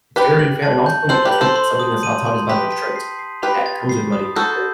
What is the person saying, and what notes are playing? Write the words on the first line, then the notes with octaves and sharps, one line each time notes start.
it's very unfair, and also I think something that's not taught is about the tricks that comes with money because
G4 B4 F#6
F#7
A5
G6
A4 C5 F#7
G4 B4
F#7
A4 C5
C6
D#6
D#7
C6
G4 B4 B6
B6
C7
C7
G4 B4 B5
A6
C7
D#6
F#4 A4 G6